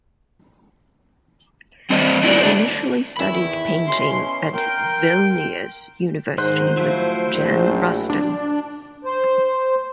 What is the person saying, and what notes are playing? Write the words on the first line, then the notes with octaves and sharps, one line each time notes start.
He initially studied painting at Vilnius University with Jan Rustem.
G3 C4 D4 C5 D#5
D4 E4 F#4 A4 B4 D5
A3 D4 C5
E2 D#3 E3 E5 B5
B2 C#4 C6
A#4 G5 C6
G#2 D#3 C5 F#6
F3 F#3 A3 E4
A#1
D4
C5